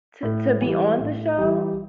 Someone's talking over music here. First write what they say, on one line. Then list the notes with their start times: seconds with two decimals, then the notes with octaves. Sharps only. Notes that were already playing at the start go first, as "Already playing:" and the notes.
To to be on the show?
0.23 A2
0.61 E3 G3
0.99 A2
1.38 E3 G3